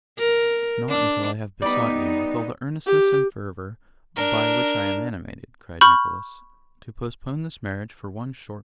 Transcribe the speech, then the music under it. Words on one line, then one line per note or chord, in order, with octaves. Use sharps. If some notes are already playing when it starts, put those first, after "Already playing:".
'Not until I have besought you, with all the earnestness and fervour by which I am animated,' cried Nicholas, 'to postpone this marriage for one short week.
A#4
D4
G3 B3 D#4 D5 B5
G4
D4 A#4
B5 C#6 F6 G6